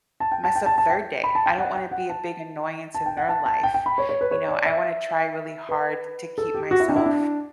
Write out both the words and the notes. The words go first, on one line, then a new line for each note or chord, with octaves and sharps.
mess up their day. I don't wanna be a big annoyance in their life, you know? I wanna try really hard to keep myself
A5
G5
A5
G5
A5
A5
G5
B5
A5
G5
F#5
G5
F#5
A5
A5
G5
F#5
A5
A5
G5
G5
B5
C#5
C#5
B4
C#5
D5
E5
B4
A4
G4
F#4
E4
D4
E4
D4